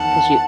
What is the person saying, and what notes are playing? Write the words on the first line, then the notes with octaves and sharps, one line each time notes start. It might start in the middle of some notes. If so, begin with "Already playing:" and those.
'Cause you
Already playing: E2 D#3 F#5 A5